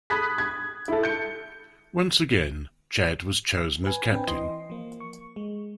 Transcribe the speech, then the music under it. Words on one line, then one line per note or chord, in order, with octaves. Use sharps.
Once again, Chand was chosen as captain.
B5 D#6 F#6 G#6 B6
G#6
E4 A4
G6 C#7
B4 G#5
C4 D4 B4 G5
E3 D#5 C6
F3 A#3
C#6
G#3